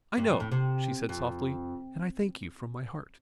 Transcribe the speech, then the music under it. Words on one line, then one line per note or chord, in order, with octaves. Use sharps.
"I know," she said softly, "and I thank you from my heart."
G2
F2
A2
C3
F2